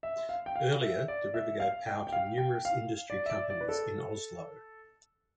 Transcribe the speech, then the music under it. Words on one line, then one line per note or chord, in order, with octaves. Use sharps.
Earlier, the river gave power to numerous industry companies in Oslo.
E5
F5
G5
F5
E5
D5
E5
F5
G5
G5
F5
G5
F5
D5
E5
D5
D5
B4
A4